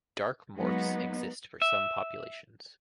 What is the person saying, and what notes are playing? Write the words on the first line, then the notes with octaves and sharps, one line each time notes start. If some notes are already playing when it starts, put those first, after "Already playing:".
Dark morphs exist for some populations.
F#3 G#3 A#3 B3 D#4
E5